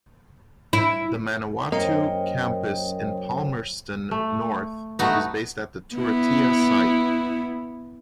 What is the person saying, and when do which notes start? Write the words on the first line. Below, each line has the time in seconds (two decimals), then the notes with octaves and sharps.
The Manawatu campus in Palmerston North is based at the Turitea site.
0.73 E4
1.72 F#2 A#3 C5 C#5 D#5 G5
4.11 A3
4.99 A3 B3 D#4 F#4
5.96 B3 E4